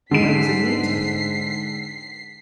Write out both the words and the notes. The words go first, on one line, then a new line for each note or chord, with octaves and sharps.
Where was Anita?
G#2 D3 G#3 B6 C7 D#7